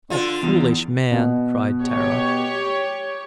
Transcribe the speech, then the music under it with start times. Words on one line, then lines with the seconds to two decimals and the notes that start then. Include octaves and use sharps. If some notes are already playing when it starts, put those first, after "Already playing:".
"Oh, foolish man!" cried Tara.
0.10 D3 F4
0.43 E2
1.12 B2
1.83 G4 C#5